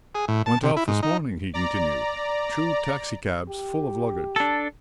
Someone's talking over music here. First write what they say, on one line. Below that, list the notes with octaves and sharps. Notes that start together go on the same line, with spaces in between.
"Went off this morning," he continued; "two taxi-cabs full of luggage."
G#4
A2
A5
C3
E4
G#2
D#4
D5 A#5
G4
D4 A4